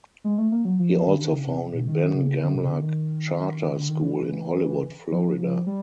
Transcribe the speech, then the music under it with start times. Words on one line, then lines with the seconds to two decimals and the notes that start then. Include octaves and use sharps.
He also founded Ben Gamla Charter School in Hollywood, Florida.
0.24 G#3
0.38 A3
0.52 A#3
0.65 F#3
0.79 F3
1.06 D#3
1.14 D3
1.22 D#3
1.33 C#3
1.47 C3
1.74 B2
1.88 D#3
2.14 C#3
2.41 D3
2.55 C3
2.63 C#3
2.69 D3
2.82 D#3
3.76 D3
3.89 D#3
4.04 E3
5.12 F3
5.39 F3
5.67 G3